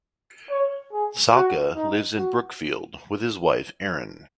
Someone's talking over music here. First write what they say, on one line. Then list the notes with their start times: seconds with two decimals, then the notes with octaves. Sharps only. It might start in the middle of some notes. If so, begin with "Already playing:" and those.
Salka lives in Brookfield with his wife Erin.
0.50 C#5
0.92 G#4
1.33 F#4
1.75 D#4
2.17 F#4